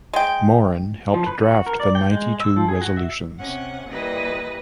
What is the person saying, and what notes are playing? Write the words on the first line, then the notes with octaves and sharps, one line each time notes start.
Morin helped draft the Ninety-Two Resolutions.
G#3 G5
F3
B4
F#4
A#4
D5
G5
G#3
E6
F3
G#4
F#4
E5
C3 C#4 F#5
A#2 E3 G3 B4 D#5